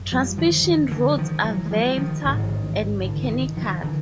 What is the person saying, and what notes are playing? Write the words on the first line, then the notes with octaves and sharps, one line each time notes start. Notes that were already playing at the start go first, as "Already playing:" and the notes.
Transmission routes are vector and mechanical.
Already playing: G#1 F#2
F3 G3
D#3 F3
D#3
D3 E3
F#3
D#3 F3
E3 F#3
G#3
F3 G3
D#3 F3
A1 G#2 D#3
E3
D#3
D3 E3
D3
D#3
D#3 F3
D3 E3